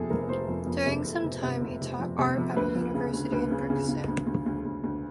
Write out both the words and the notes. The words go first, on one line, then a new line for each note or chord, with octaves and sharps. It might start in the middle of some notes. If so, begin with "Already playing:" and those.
During some time he taught art at a university in Brixton.
Already playing: F2 C3 G#4 A4
F1 A#4
F1 C5
F2
F2
C3
F1
F1
C3
F1
F1
F3
C3
F2
D2 B4
F3
C#3
D2
D2 B4
C#3
C#3
C#3
D2
D2
D2
D2
D2